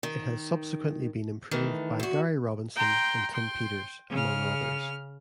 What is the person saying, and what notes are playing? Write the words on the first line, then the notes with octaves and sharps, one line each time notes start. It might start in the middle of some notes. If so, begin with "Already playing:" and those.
It has subsequently been improved by Gary Robinson and Tim Peters, among others.
D#3
D#3 E3 A3
E2 F#4
G5 A#5 C6
G5 C6
C#3 F6